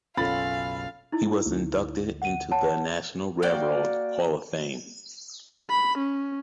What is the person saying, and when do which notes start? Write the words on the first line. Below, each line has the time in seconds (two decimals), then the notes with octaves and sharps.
He was inducted into the National Railroad Hall of Fame.
0.17 F#1 B1 C#4 F4 A4 F5 B5 A6
1.12 D#4 E4
1.46 D2
2.22 F#5 D#7
2.51 C#5 F#5 A5
3.42 A#3 F#4 D5 G5
5.70 B5
5.98 C#4